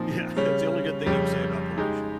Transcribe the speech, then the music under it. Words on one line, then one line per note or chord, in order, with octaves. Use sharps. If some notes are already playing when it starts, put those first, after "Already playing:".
Yeah, it's the only good thing you can say about pollution.
Already playing: A#2 F3 C4 D#4
C#3 G3 C#4
F2 C#3 G3 C#4 G4
C#3 G#3 D#4 G4